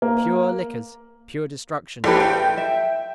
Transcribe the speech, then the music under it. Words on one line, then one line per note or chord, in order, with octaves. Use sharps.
"Pure liquors:" pure destruction!
A#3
A#1 E4 G4 A4 B4
G5
E5